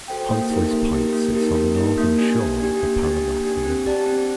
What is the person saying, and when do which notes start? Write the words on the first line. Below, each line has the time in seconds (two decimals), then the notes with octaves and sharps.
Huntleys Point sits on the northern shore of the Parramatta River.
0.08 F#4 A4 C5 G5
0.29 A#3
0.50 D#4 G4 A#4
0.71 A#3
0.93 D#4 G4 A#4
1.13 A#3
1.35 D#4 G4 A#4
1.55 A#3
1.77 D#4 G4 A#4
1.98 A#3
2.18 D4 G4
2.40 A#3
2.60 D4 G4
2.81 A#3
3.02 D4 G4
3.23 A#3
3.44 D4 G4
3.65 C4
3.86 G4 D5 A5
4.06 C4